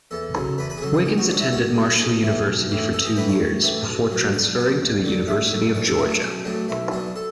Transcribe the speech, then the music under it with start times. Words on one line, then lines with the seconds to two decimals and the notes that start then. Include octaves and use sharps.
Wiggins attended Marshall University for two years before transferring to the University of Georgia.
0.11 E2 A4
0.35 C#3 F#3
0.58 E2 B4
0.70 B4
0.77 G#4
0.82 C#3 F#3 A4
0.94 A4
1.05 A1 G#4
1.18 F#4
1.29 G#2 F#3 D4
1.40 E4
1.52 A1 F#4
1.76 G#2 F#3
1.99 B1 G#4
2.23 A2 E3
2.46 B1
2.69 A2 E3
2.93 A1 A4
3.05 G#4
3.16 A2 E3 B4
3.28 C#5
3.40 A1
3.63 A2 E3
3.87 B1
4.11 B2 F#3
4.33 B1 D5
4.57 B2 F#3
4.81 D2
5.04 D3 F#3
5.27 D2 E5
5.52 D3 F#3
5.75 B1 D5
5.87 A4
5.98 A2 F#3 E4
6.10 D4
6.21 B1 C#4
6.45 A2 F#3 D4
6.68 B1 E4
6.92 B2 F#3 D4
7.16 A4